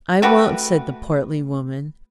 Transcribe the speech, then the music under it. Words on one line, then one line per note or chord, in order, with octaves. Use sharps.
"I won't," said the portly woman.
A3 F#4 G4 B4